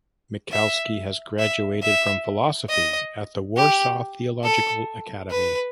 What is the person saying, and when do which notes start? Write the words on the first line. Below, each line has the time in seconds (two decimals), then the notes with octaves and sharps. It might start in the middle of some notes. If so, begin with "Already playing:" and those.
Michalski has graduated from philosophy at the Warsaw Theological Academy.
0.52 E5
1.39 E5
1.82 E5
2.69 D#5
3.56 G4
4.44 A4
5.31 B4